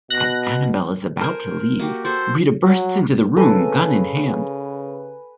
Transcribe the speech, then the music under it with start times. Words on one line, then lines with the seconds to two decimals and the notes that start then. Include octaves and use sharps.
As Annabel is about to leave, Rita bursts into the room, gun in hand.
0.10 B2 F#6 A#6
1.21 A#4 C5 G#5
1.80 A#3 F#4 G4
2.05 F#4 A4 C5
2.66 F#3
3.37 C#3 A4 B4 G#5 A#5